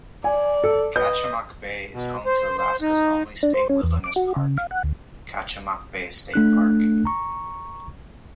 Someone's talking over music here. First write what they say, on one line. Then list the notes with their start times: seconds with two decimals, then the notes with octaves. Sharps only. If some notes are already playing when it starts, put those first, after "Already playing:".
Kachemak Bay is home to Alaska's only state wilderness park, Kachemak Bay State Park.
0.24 D5 G#5
0.64 A4
0.96 B4 D#5 G6
1.93 B2
2.26 C5
2.58 C5
2.81 D#4
3.43 D4
3.54 C5
3.69 C#4
3.83 E2
4.04 D6
4.16 F#4
4.36 C#3
4.58 F5
4.71 F#5
4.83 D2
6.34 A3 D4 F#6
7.05 A#5 C#6